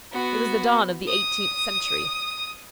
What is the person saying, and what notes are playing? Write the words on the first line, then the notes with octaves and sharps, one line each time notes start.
It was the dawn of the eighteenth century.
B3 F#4
D#6